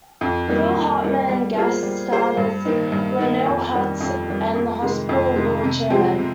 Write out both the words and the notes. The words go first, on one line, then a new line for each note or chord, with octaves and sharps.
Phil Hartman guest starred as Lionel Hutz and the hospital board chairman.
F2
D#3 G3 A#3 D#4
F2
D#3 G3 A#3 D#4
G3
A#3 F4 G#4 C5
G3
A#3 F4 G#4 C5
G2
D#3 A#3 D#4
G2
D#3 A#3 D#4
F2
D#3 G3
F2
D#3 G3
F2
C3 D#3 G#3
F2
C3 D#3 G#3
C3
F3 G#3 C4 G4
C3